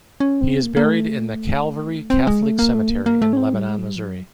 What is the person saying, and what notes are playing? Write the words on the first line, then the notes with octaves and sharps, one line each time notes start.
He is buried in the Calvary Catholic Cemetery in Lebanon, Missouri.
C#4
C4
A#3
A#3
A3
C4
G#3
A3
A#3
A3
A#3
A#3
A3
C#4
C4
G3
G#3
F#3
G3
F3
F#3